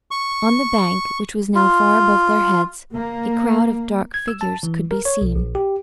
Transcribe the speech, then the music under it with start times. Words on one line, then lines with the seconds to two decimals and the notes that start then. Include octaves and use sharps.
On the bank, which was now far above their heads, a crowd of dark figures could be seen.
0.11 C#6
1.55 F4
2.92 A#3
4.14 G#6
4.28 E6
4.41 A5
4.63 E3
4.91 A#4
5.05 C#5
5.21 B1
5.36 A#1
5.55 G4